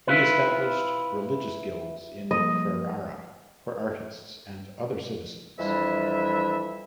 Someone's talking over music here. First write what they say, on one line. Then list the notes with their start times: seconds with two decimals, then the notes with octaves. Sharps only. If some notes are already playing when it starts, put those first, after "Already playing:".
He established religious guilds in Ferrara for artists and other citizens.
0.07 E4 F4 B4
2.31 F3 G3 A#3 D#5
5.59 F2 E3 G3 D4 E5